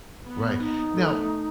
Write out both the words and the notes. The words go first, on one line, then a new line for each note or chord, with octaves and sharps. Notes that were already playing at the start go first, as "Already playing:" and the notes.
Right. Now
B3
D#4
A3